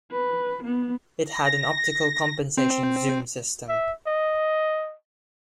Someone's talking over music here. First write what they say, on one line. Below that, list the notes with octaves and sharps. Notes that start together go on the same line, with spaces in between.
It had an optical compensation zoom system.
B4
B3
A#6
C4
E5
D#5